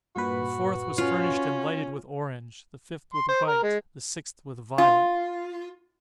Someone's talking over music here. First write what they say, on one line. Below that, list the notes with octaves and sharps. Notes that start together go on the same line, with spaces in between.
The fourth was furnished and lighted with orange--the fifth with white--the sixth with violet.
G2 A#2 F#4 B4
C#4 F4
C6
C5
A#4
G#3
F4